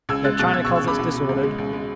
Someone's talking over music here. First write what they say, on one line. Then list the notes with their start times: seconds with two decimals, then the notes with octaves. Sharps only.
Their china closets disordered.
0.09 C#2 E6 G#6
0.24 G#3 F#6 A6
0.39 B2 F#6 A6
0.53 C#2 E6 G#6
0.65 C#6 E6
0.69 C#2
0.76 C#6 E6
0.84 C#2 B5 D6
0.99 B2
1.14 B2
1.29 C#2
1.43 G#3
1.58 C#2
1.73 G#3